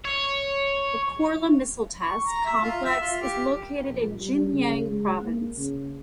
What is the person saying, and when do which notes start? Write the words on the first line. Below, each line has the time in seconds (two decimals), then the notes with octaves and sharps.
The Korla Missile Test Complex is located in Xinjiang province.
0.05 C#5
2.01 C#6
2.25 A#5
2.45 E5
2.62 F4
2.84 E5
3.01 F4
3.21 G4
3.87 A#1
4.20 G3
4.53 C#3
4.87 G#3
5.23 A#3
5.58 C#3